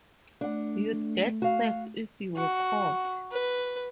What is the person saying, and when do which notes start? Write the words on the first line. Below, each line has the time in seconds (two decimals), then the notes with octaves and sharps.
You'd get sacked if you were caught.
0.41 A3 D4 F#5
1.42 F#4 F5
2.37 F#4
3.32 B4